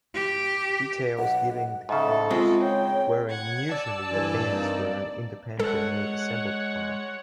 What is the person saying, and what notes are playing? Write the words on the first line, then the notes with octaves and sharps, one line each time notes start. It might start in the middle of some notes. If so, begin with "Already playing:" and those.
Details given the cars were unusually advanced for an independently made assembled car.
G4
B1 F#5
G#2 C#3 A4 E5
G#3 C4 F4
C#5 G5
F#5 G#6
D5 A5 E6
D2 G2 E3 G#5
A#3 C4 D#4
G#3 A4 C#5 F#5